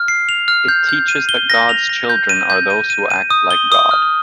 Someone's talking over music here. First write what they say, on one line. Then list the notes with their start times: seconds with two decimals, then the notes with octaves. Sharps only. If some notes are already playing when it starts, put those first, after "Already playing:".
It teaches that God's children are those who act like God.
Already playing: F6
0.08 C7
0.29 F7
0.48 F6
0.68 G6
0.89 G6
1.08 D#7
1.29 G7
1.50 A#6
1.69 F7
1.89 A#6
2.10 G6
2.29 D#7
2.50 G6
2.70 D#7
2.90 D#7
3.10 D#7
3.31 D#6
3.51 G7
3.72 D#6
3.91 F6